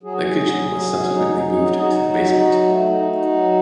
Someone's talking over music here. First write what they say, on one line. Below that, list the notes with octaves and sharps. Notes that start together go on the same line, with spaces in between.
The kitchen was subsequently moved to the basement.
F#3 G#4
F#4
F#3 G#4
F#3
F#3
F#3
D#4
D#4
F#3
G#4
D#4 F#4
F#3
D#4
F#3
A3
D#4
D#4
F#3